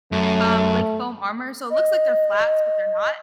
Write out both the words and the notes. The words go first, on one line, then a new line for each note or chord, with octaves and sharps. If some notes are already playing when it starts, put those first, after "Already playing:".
um, like foam armor, so it looks like they're flats, but they're not.
F#2 A3
D#5